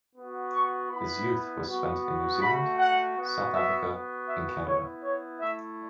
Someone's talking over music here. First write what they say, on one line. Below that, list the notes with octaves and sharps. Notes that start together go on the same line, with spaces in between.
His youth was spent in New Zealand, South Africa and Canada.
B3 F#4
C#6
B3 E4 B5
B3 F#4
A3 F#4 B5
F#5
B3 F#4
E5
B3 F#4
E5
B3 E4 C#5
C#5
A3 E4 E5